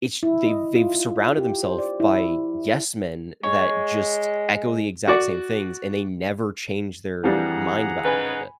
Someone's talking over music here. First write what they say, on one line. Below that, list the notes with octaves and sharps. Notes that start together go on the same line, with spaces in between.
It sh they've they've surrounded themself by yes men that just echo the exact same things, and they never change their mind about any of it.
E4
D#5
F4
F4
G4
C5
D5
E4
G#3 C#5
F#4 D5
F2 E3 G3 D4 G#4 F#5 A#5
C#3 D#4 B4 G#5 B5